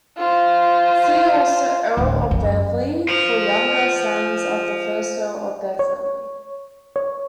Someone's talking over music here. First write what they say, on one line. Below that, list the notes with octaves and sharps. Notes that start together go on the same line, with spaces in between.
See also Earl of Beverley for younger sons of the first Earl of Beverley.
F4 C5
D1
F#2
F4 C5
C#5
C#5